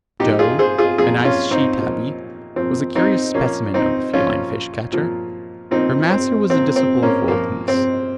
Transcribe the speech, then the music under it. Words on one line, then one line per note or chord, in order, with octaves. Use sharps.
Joe, a nice she-tabby, was a curious specimen of the feline fish-catcher. Her master was a disciple of Walton's.
A#2 F3 D#4 G4
F4 G#4
G#4 C5
F4 G#4
A#2 F3 F4 G#4
C#4 F4
C4 D#4
A#2 F3
A#2 F3 C4
C4 D#4
A#2 F3 A#3 C#4
C4 D#4
A#2 F3 C#4 F4
A#2 F3
A#2 F3 C4 D#4
C4
A#2 F3 C4
C4
A#3 C#4
A#2 F3 A#3
C4